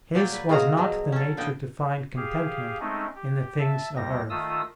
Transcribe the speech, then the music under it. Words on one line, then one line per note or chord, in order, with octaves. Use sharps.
His was not the nature to find contentment in the things of earth.
A#2 F#3 D5 G5 G#5
B4
G#3 F4 F#4 G#4 A#5
B2 F#3
C#4 A4
A#2 D3 B3 G5
G4 G#4 F5
G#3 A3 C4 C#4 D#4
G4
E5 A5
D#2 G3 G4 A#6
D#3 A3 F4 D#6 E6